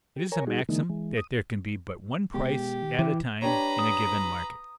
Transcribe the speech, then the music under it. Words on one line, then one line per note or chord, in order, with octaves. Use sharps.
It is a maxim that there can be but one price at a time in a given market.
G4
A#4 C#5 G#5 A#5
G3 D#4 F#4 G#4
D3 E3 G#3 A#3 D#4
E3 G#3
D#6
B2 G#3 B3 G4
D#3
E3 E5 G5 D6
D4 G4 B4 C#5 A#5
D#6